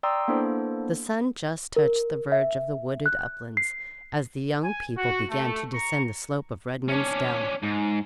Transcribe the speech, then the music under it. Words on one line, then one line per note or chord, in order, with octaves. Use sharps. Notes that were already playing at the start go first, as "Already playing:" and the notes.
The sun just touched the verge of the wooded uplands, as the young people began to descend the slope of Redman's Dell.
D5 G5 A#5 C6 D#6 E6
A#3 B3 D4 E4 A4 C5
A#4
E5
F#6
C7
G#5
F#4
A3
A#5 C#6
C#4 D4
G#2